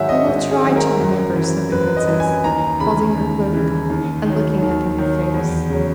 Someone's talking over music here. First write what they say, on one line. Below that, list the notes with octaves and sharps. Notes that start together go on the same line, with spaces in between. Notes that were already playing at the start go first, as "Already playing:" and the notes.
"I will try to remember," said the princess, holding her cloak, and looking up in her face.
Already playing: G#2 D#3 F#3 E5 F#5 G#5
D#5
G#2 D#5
G#4
D#3 F#3
A#4
F#2
E3
F#2 B4
D#5
E3
G#5
D#2 A#5
C#3 E3 B5
D#2
C#3 E3
D#2
D#3 F#3
D#2
D#3 F#3
E2
C#3 F#3